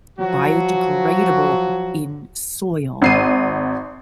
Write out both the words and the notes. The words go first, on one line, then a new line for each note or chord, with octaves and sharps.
biodegradable in soil,
F3 F#3 F#4
G#1 C7 D#7